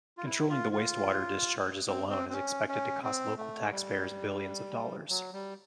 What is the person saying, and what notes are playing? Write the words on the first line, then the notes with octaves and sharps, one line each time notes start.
Controlling the wastewater discharges alone is expected to cost local taxpayers billions of dollars.
F4
E4
F4
F4
C4
C4
C4
C#4
C#4
C4
A3
G3
F#3
G3